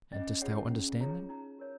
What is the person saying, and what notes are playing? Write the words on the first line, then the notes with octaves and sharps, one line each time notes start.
"And dost thou understand them?"
C#4 D#5
F4 G#4 C#5 F#5
C#4
F4 G#4 C#5 A#5
D#4 A#5
F#4 A#4 C#5